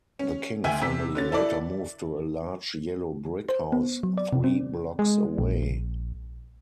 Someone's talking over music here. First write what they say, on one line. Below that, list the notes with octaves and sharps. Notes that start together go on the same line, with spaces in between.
The King family later moved to a large yellow brick house three blocks away.
C#4
D2 E5 G5 G#5
C3 E6 B6
D3 C#4 A6
E4 A4 D5
C5
B3
F#3
D5
C3
C4
G#3
A#1